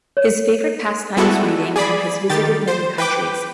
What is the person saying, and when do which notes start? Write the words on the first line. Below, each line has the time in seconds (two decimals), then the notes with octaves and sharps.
His favourite pastime is reading and has visited many countries.
0.17 C#5
1.17 G3 G#3 B3 E4 F#4 A4
1.76 G#4 D5 B5
2.30 D#3 G4 A6
2.68 C5
2.98 B4 G5 D6